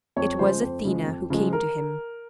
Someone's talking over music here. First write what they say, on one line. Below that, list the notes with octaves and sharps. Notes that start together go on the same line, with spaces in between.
It was Athena who came to him.
F2 C#5
C#3 F3 G#3 C5
F2 C5
C#3 F3 G#3
F2
C#3 F3 G#3
A#4